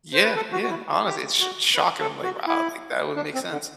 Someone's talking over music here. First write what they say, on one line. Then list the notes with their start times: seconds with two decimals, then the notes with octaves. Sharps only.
Yeah, yeah, honestly, it's sh shocking. I'm like, "Wow, like, that would make sense."
0.13 C5
0.24 B4
0.36 A4
0.52 F#4
0.63 F#4
0.70 E4
1.05 G4
1.40 F#4
1.75 B4
2.00 A4
2.23 F#4
2.47 E4
3.16 D4
3.34 C4
3.52 D3